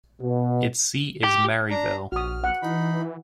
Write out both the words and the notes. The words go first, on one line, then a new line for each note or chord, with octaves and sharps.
Its seat is Marieville.
B2
G4
D4 A#5
A#1 F#4 D#6 F6
F#5
E3 D#4 B5